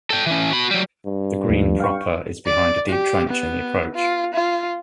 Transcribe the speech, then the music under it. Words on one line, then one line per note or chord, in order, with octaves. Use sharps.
The green proper is behind a deep trench in the approach.
A4 G5
E3 C#4
F#4 B5
F#3 G3
G2
D#2 F3 A3
F5 G5 C#6
D5
G4
B3
F4
F4